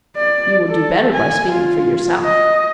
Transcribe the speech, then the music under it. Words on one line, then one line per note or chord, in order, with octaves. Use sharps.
"You will do better by speaking for yourself."
D5
A4
G#5
F4
D#5